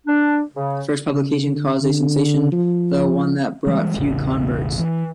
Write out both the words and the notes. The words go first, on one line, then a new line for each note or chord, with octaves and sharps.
The first publication caused a sensation, though one that brought few converts.
D4
C#3
C#3
D3
D3
F3
E3 G3 G#3
E1 A1 C#3
E3